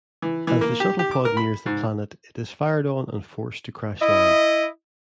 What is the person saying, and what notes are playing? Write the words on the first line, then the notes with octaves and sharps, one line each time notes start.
As the shuttlepod nears the planet, it is fired on and forced to crash-land.
E3
E3
A#3
G4
G4
D6
A#4
B5
G#2
E4 D#5